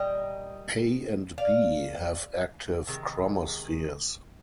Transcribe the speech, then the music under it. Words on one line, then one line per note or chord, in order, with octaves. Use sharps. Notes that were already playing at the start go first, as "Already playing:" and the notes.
A and B have active chromospheres.
Already playing: A#2 G3 D#5 G5
D5 F5
C3 D#3 G#3